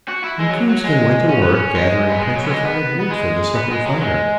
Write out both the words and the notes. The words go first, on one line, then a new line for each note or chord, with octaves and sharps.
And Coonskin went to work gathering petrified wood for the supper fire.
F#4
E4
G#3
F#3
F#3
G#3
C#4
B3
C#4
G#3
B3
G#3
F#3
B3
G#3
B3
B3
G#3
B3
G#3
F#3
G#3